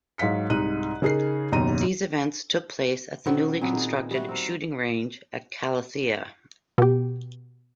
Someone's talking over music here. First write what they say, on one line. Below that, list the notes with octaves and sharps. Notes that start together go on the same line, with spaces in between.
These events took place at the newly constructed shooting range at Kallithea.
G#2 F#3 F5 B6 C#7
C2 G#2 D#4 F#6 D#7
C#3 D#4 G#4 A#4 C7
F#1 D#2 B2 D#4 A#5 D#7
B2 D#3 C4 C#4 F#5 B5
A#2 F#3 B3 C4
D#4 G#4 F#5
G3 F#4 G4 E5
C4 A#4
B2 G4